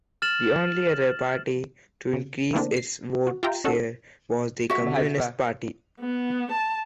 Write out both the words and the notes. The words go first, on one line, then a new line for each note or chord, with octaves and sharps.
The only other party to increase its vote share was the Communist Party.
F6 A6 E7 F#7
C#3
C#3 E3 A3 A#3 C4 D4
C7
F#4
F4 G4 E5 G5 A#5
C#4 D#4 F#4 A4 A#4
F#4 E5
B3
A5